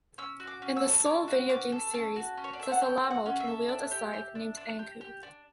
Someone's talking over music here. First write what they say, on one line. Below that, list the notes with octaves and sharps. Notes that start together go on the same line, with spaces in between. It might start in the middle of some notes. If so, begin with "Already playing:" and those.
In the "Soul" video game series, Zasalamel can wield a Scythe named Ankou.
C#4 E6
F#4
D6
C#4
E6
A4
C#4 D6
F#4
C#4 D6
A4
C#4 A5
F#4
C#4
C#5
D5
A4 E5
F#5
C#4 G5
F#4
F#5
C#4
E5
A4
D4
G4
G4
D4
D4
G4
G4
D4